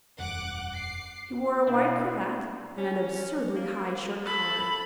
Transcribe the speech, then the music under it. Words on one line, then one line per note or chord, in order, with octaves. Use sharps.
He wore a white cravat, and an absurdly high shirt collar.
E1 F#2 G3 F#5 D6 F#6
D6 C7
B2 D4 E4 F5
C#4
A#3
A4 B5